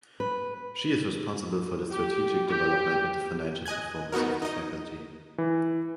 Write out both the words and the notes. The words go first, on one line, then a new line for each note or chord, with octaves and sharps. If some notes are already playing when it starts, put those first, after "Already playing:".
She is responsible for the strategic development and financial performance of the Faculty.
B4
G4
G4
D#5 G#5 F#6 G#6
B3 D#4 F#4 A#4
D#4 D#5
E3